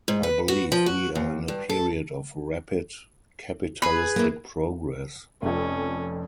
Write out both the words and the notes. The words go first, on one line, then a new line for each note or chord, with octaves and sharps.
I believe we are in a period of rapid capitalistic progress.
G#2
B4
F#4
F3
F#4
D#2
G2
A4
G#4 B4
A#3 E4
F1 F2 C#4 A4